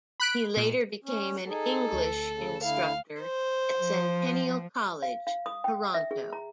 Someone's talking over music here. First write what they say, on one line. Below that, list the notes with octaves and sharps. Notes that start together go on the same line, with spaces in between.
He later became an English instructor at Centennial College, Toronto.
B5 F#6 D7
A#2
C#4
D#4 G#4 A4
D2
C#3
D3 E4 F5
C5
F3
F5
F5
D#6
G5
E5
G#4
A#5